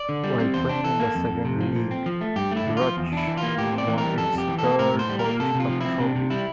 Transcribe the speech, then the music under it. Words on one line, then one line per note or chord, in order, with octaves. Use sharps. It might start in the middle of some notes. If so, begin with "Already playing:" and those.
While playing in the second league Ruch won its third Polish Cup trophy.
Already playing: D5
D3
G3
C4
E2 C5
D4
E3 A4
A#3
F2
F2
C3
F3
A#2
C4
F3
A3
G2 G4
A3
E4
D3
F3 F4
E2
D4 E4
E3
F4
A#3
A2 G4
C4
D5
E3
A#4
G3
F2 A4
F2 G4
E3
A4
A#3
A2 A#4
A2
C5
G3
A#4
A#3
C3 A4
C3
F4
F3
C4 E4
C3 D4
C3
G3 E4